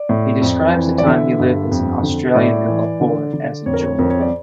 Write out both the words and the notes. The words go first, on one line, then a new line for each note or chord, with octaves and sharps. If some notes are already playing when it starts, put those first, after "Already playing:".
He describes the time he lived as an Australian in Lahore as enjoyable.
Already playing: D5
A2
F2
E3
D5
D3 E5
G2
F2
D3
A2 D5
E3
D3
D3
F2 C#5
A#4
C#5
F2 A#4
C#5
D5